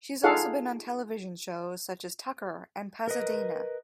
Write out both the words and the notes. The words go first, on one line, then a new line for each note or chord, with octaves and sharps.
She has also been on television shows such as "Tucker" and "Pasadena".
D#4 F4 G#4 A4 F5 F#5
A#4 B4 D#5